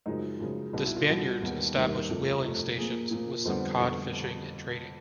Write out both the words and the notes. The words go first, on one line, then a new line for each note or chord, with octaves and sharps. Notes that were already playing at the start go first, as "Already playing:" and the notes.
The Spaniards established whaling stations with some cod fishing and trading.
F#2 C#3 F3 G#3 D#4
F#2 C#3 F3 G#3
C2 B2 G3 D#4
E4
F4
C2 B2 G3 F#4
D#2 D#3 G3 B3
D#2 D#3 G3 B3 G4
F2 C3 F3 A3
F2 C3 F3 A3
A#2 F3 A#3 G#4
A#2 F3 A#3
F2 D3 G3 B3 C5
F2 D3 G3 B3